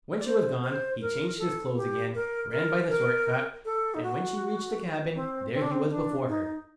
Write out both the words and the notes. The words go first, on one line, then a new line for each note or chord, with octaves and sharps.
When she was gone, he changed his clothes again, ran by the short cut, and when she reached the cabin, there he was before her.
D5
C5
C5
A#4
A4
G4
A#4
A#4
A#4
A4
D#4
F#4
C4
C4
D4
C4
D4
D#4